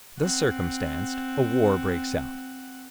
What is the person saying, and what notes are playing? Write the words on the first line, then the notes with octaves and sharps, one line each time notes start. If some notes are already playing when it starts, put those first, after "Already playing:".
Thus circumstanced, a war breaks out.
C4 F#5